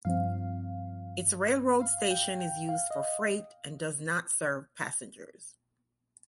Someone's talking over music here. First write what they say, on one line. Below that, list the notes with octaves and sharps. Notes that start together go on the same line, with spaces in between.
Its railroad station is used for freight and does not serve passengers.
G2 F3 C4 F5
F5
G5
G5
F5
D#5